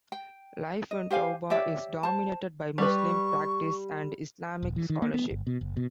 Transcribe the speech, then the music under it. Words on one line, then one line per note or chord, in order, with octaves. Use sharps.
Life in Touba is dominated by Muslim practice and Islamic scholarship.
G5
D#5
G4 C5 F5 G#5
G4 C#5 D5 E5
C5 A5
G3 B4 C#6
D#1
E3
D#3
A#3
B3
G1
B2
F#1
B2